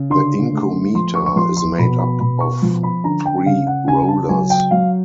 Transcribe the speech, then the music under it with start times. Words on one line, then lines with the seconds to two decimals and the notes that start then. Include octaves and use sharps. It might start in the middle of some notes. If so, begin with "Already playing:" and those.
The inkometer is made up of three rollers.
Already playing: C#3
0.10 D3 C6
0.53 A3
0.95 F3 C6
1.15 C#6
1.26 C#6
1.36 F3 C6
1.57 C6
1.78 B2 B5
1.99 B5
2.20 B2 B5
2.40 C#6
2.62 F3
2.83 B5
3.04 D3 A#5
3.25 G5
3.46 C#3 F5
3.67 F#5
3.88 C#3 G#5
4.08 A5
4.29 F#3 G#5
4.50 G5
4.71 F#3 F5